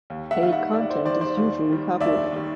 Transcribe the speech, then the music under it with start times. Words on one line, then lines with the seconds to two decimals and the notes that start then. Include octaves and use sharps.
Paid content is usually copyrighted.
0.10 D#2
0.31 E5 F#5
0.42 D#3 G3 F5
0.52 E5 F#5
0.73 D#2 D5 E5
0.89 C5 D5
1.05 D#3 G3 C5 D5
1.21 C5 D5
1.37 D#2
1.70 D#3 G3
2.00 D#2 D5 E5
2.32 D#3 G3